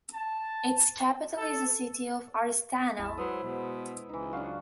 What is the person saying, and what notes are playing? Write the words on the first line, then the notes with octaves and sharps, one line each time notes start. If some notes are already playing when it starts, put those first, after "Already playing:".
Its capital is the city of Oristano.
A5
A4
A1 E2 E4 A5
F#3 G#3 E4 B4 C5 D#6
B2
C#2 E3 D#4
F#3 D4 F4 F#4 F5